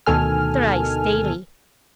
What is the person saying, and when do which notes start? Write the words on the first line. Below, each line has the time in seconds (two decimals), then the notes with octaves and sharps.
Thrice daily.
0.06 D2 B2 D#3 A4 G#5 F6